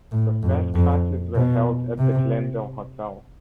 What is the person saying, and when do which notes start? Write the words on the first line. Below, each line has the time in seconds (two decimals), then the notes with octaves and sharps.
The first classes were held at the Glendale Hotel.
0.12 A2
0.43 F2
0.74 F2
1.35 B2
1.98 C3